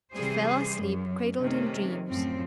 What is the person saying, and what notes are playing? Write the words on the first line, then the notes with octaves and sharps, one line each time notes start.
She fell asleep cradled in dreams.
C3 E3 G3 G#4 C5
F#2
C3 D#3 A3 C#4
F#2 A2 F3 C4